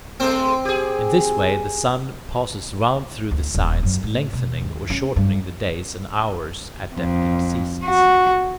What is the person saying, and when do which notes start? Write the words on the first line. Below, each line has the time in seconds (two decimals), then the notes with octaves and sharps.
In this way the sun passes round through the signs, lengthening or shortening the days and hours at definite seasons.
0.20 G#3 A3 C4 C5
0.65 G4 G#4
3.31 D2
3.55 D#1
3.83 F#2
4.03 A2
4.33 B2
4.61 D#2
4.90 C#4
5.16 G2
6.94 F2
7.86 F#4